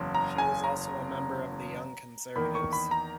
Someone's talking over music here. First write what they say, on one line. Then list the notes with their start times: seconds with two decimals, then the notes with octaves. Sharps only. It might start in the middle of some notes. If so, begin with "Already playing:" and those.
She was also a member of the Young Conservatives.
Already playing: F#1 E2 C#3
0.15 A#5
0.38 G#5
0.64 A#5
2.36 E2 D#3 A#3 B5
2.55 C#6
2.73 B5
2.91 A#5